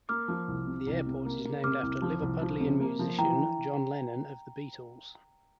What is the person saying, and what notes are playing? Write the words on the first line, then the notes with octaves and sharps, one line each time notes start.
The airport is named after Liverpudlian musician John Lennon of The Beatles.
A#3 D6 F6
F3
C2
C3
C2
C3
A#3
A#3
C3 D6 F6
C2
F3
C2
F3
C3
A#3
F3
E3 G5 A#5